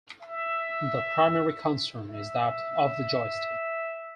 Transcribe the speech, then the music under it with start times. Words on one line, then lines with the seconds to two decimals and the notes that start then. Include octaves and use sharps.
The primary concern is that of the joystick.
0.22 E5
2.09 E5